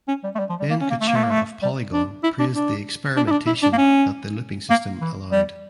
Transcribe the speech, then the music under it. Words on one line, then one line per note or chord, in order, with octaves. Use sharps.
Ben Kuchera of "Polygon" praised the experimentation that the looping system allowed.
C#4
G3
A3
G3
F3
G3
A#3
C#4
A#3
A3
A#3
A3
A#3
A3
G3
D4
E4
D4
D4
D4
E4
D4
E4
D4
A#3
C#4
A#3
E3
G3